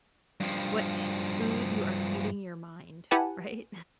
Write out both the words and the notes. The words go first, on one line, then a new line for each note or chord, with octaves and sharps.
what food you are feeding your mind. Right?
G2 F3
E4 G4 B4 F#5 G#5 A5